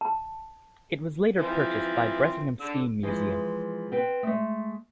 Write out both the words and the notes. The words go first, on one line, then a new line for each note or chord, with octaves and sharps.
It was later purchased by Bressingham Steam Museum.
A5
E3 F3 C4
D3 E6
E3 F3 G#3
C4 B4 G5
G#3 A3